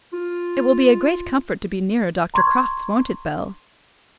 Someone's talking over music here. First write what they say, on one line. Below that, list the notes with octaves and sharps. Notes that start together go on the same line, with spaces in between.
"It will be a great comfort to be nearer Dr. Crofts; won't it, Bell?"
F4
A#5 C6 C#6 G#6